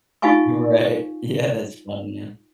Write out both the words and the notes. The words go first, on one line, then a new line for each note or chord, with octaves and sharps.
Right. Yeah, that's funny, yeah.
D#4 F4 G4 F5 G#5 C#6